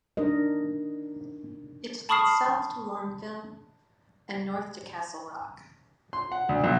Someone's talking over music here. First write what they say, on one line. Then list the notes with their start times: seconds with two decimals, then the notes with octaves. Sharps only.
It leads south to Longview and north to Castle Rock.
0.17 D4 D#4 A#4 D#5
2.09 A5 B5 C#6 D#6 F6 C7
6.13 C6
6.32 F#5
6.49 D2
6.64 B1